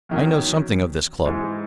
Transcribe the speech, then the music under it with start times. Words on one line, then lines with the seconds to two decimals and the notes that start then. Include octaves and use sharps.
I know something of this club.
0.09 E2 D#3 F#3 C#4
1.25 G#2 E3 G#3